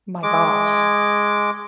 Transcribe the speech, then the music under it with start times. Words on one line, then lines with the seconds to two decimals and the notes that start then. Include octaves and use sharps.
my gosh,
0.23 G#3 D6